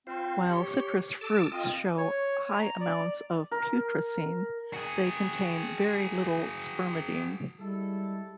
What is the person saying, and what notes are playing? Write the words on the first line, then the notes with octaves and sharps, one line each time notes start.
While citrus fruits show high amounts of putrescine, they contain very little spermidine.
C4 F4 C5
G4 C#5
A4 A5 D6 E6
C4 F4 D#5
C#5
A#5
D5
A#4
F#4 G#4
G3 G#3 E4 A4